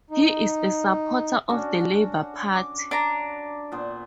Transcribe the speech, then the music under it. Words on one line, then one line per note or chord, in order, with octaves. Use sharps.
He is a supporter of the Labour Party.
D#4
C#4 D4 F#4
F#5
D6
D4 A#5
A#2 B3 C5